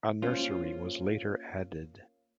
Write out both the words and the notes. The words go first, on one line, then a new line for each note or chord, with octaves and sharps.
A nursery was later added.
A#3 C#4 F4 C5